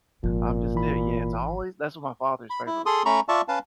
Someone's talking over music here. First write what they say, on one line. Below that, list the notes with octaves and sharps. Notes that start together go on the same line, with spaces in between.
I'm just there Yeah, it's always that's what my father's favorite
G#1 A#2 F3
E3 B5
B5
E4
G#4 A4 C6 D#6
A3 C#4 A#5 B5 C#6
F4 D5 E5 A5 C#6
C#4 B4 F5 A5